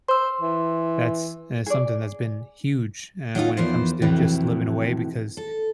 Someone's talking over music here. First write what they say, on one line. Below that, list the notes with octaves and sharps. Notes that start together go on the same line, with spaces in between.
that's, eh, something that's been huge, eh, when it comes to just living away because
C5 C6 E6
E3
G#4 D5
F#3 C#4 D#4 F4
E2 E3 F3 A#4 C5
F2 A2 C3 E3 F#3
A4